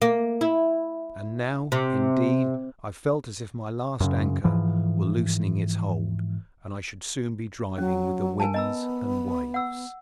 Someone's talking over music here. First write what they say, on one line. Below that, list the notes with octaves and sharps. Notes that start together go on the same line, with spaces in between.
And now, indeed, I felt as if my last anchor were loosening its hold, and I should soon be driving with the winds and waves.
A#3
E4
C3
F#2 C#3
G#2 E3 F3
F#3 C#4
A#4 G#5 A5
B3 D#5 A#5 E6
F#5 E6